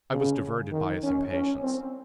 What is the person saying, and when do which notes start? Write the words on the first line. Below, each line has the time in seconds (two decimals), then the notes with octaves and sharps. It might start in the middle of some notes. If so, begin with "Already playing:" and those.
I was diverted by his impatience.
0.12 C#3
0.72 D#3
1.03 C#4
1.33 C#4
1.63 C4